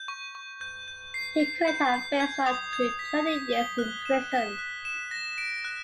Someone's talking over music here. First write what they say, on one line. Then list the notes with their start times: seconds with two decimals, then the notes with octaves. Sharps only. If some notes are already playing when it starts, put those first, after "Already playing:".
He could have faced up to twenty years in prison.
Already playing: G6
0.08 C#6
0.35 C#6
0.61 G6
0.88 G6
1.14 C7
1.40 C7
1.68 G6
1.94 C7
2.20 G#6
2.46 D#6
2.73 G#6
2.99 B6
3.27 B6
3.53 G7
3.78 F#6
4.05 E7
4.32 B6
4.58 F#6
4.85 E7
5.11 A#6
5.38 D7
5.64 F#6